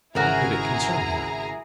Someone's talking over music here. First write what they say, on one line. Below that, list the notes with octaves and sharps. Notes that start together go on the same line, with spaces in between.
How could it concern her?
G#1 C#3 E4 F#4 G#4 A#4 F5 A#5